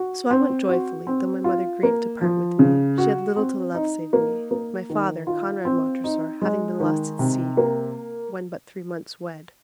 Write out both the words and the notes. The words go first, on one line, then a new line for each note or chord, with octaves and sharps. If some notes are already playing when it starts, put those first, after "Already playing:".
So I went joyfully though my mother grieved to part with me; she had little to love save me, my father, Conrad Montressor, having been lost at sea when but three months wed.
Already playing: F#4
C4
F#4
C4
F4
A#3
F3
C#3
F#4
C4
D#4
A#3
A#3
D#3
F4
C4
D#4
G#3
D#3
C3
A#3